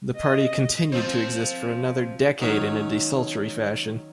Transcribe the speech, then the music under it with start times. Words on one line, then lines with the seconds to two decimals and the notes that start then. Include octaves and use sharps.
The party continued to exist for another decade in a desultory fashion.
0.16 D#5
0.92 F3 C4 C5
2.41 D#3 F#3 C#4